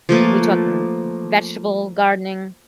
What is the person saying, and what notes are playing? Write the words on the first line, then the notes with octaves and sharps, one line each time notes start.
are we talking vegetable gardening?
F3 A3 A#3 B4